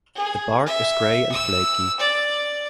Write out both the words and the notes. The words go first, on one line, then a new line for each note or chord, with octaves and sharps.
The bark is grey and flaky.
G#4
E5
E6
D5